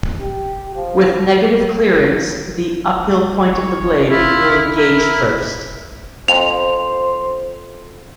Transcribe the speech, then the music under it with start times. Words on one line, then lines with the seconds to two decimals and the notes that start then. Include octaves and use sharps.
With negative clearance the uphill point of the blade will engage first.
0.19 G4
0.76 F3
3.53 C#5
4.11 E4 F4
4.76 E4 A#4
6.28 F2 C5 F7